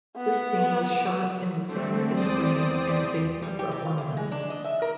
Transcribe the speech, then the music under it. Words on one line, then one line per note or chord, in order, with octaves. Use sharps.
This scene was shot in the summer in the rain and dampness of London.
B3 F#5
D3 A3 C4
E2 C4 C5 D5 D#6
G3
G4
C3
F4
E2
G#3
D4
D#5
E5
A#4